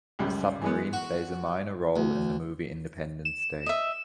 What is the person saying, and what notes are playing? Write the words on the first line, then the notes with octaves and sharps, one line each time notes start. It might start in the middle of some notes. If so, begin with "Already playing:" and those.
The submarine plays a minor role in the movie Independence Day.
C#2 F#2 G3
E3 G#3 B3
F#4
D2
E7
D#5 E5